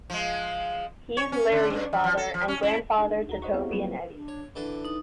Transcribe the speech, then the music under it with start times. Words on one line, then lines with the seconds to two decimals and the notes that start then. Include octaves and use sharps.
He's Larry's father, and grandfather to Toby and Eddie.
0.10 F3 G#3
1.17 C#5
1.32 C#4
1.52 D3
1.70 G2
1.93 F3
2.04 F3
2.17 A4
2.34 F3
2.48 C#4
2.63 E4
2.98 D4 D#4 G#4
3.28 D2 F#4 A#5
3.42 C5 C#5 D#5 F#5 C#6
3.54 B3 C4 E4 G4 G#4 F5
3.71 F#3 G3 A#3 C4 F4 B4
4.13 D4
4.28 C#5
4.56 D3 E3 D4 A4
4.85 D#4 D#6